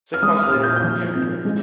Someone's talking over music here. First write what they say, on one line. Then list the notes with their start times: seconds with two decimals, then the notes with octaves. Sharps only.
Six months later, he married her.
0.14 F6
0.22 G#3 D#6
0.44 F6
0.53 A#2
0.63 G6
0.76 G6
0.83 F3 F6
1.15 G#1
1.45 G#3